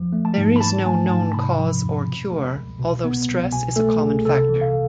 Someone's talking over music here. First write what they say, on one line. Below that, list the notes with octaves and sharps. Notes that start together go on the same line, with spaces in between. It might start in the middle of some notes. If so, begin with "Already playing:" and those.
There is no known cause or cure although stress is a common factor.
Already playing: F2 F3
A3
A5
G#2
B5
E3 A5
A3 G#5
G#2 A5
C3 B5
F3
F2
B2
G#3
C2
B2
B3
C2
B2 G#5
A3 A4
C2 G#4
C3 A4
E3
F5